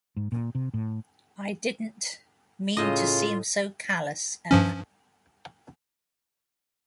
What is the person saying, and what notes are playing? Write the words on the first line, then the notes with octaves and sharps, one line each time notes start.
I didn't — mean to seem so callous, Emma.
G#2
A#2
C3
A2
A2 C#3 F4 D#5
G2 F3 C#4